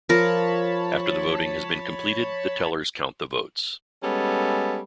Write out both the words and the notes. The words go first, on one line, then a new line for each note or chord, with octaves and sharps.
After the voting has been completed the tellers count the votes.
F3 A#4 C#5 A5 B5
G3 G#3 B3 C#4 A4